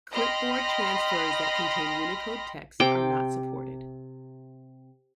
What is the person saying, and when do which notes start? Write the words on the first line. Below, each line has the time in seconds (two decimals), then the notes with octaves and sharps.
Clipboard transfers that contain Unicode text are not supported.
0.12 D#5 G5 B5 C6 F6 A#6
2.80 C3 G5 D6